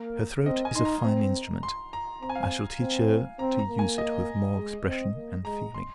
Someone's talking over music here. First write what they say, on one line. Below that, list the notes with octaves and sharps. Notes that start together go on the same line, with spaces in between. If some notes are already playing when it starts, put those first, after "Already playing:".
Her throat is a fine instrument; I shall teach her to use it with more expression and feeling.
Already playing: A#3 A#4
C4 D#5
G#5
D#4 C6
A#5
C4
C6
A#5
C4 A#5
G#5
F5
G#5
C4
C4 A#5
A#5
A#3
G#5
D#5
G#3
C4
A#3
G#3 A#5
C6